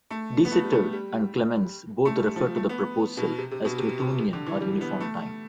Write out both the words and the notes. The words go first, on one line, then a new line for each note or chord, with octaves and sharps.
De Sitter and Clemence both referred to the proposal as 'Newtonian' or 'uniform' time.
A3
B3
A3
G3
A3
G3
A3
G3
F3
A3
B3
B2
C3
C3
B2
C3
B2
C3
D3
E3
G3
B3
A3